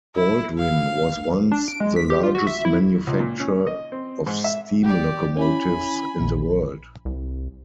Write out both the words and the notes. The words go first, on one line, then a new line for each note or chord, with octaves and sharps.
Baldwin was once the largest manufacturer of steam locomotives in the world.
E4
F5
D4
D7
G#3
B6
G4
F4
F#4
E5
E4
C#2
A#2
C#4
D#5
C4
G#2
E5
G4 D5
C#4 E4 G#5 B5
A#1
C2